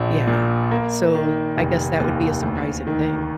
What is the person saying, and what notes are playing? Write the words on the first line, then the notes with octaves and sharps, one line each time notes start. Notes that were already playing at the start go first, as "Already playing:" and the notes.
Yeah, so I guess that would be a surprising thing.
Already playing: A#1 F3
A#2
A#3
D#3
F1
D#2
D2
D#3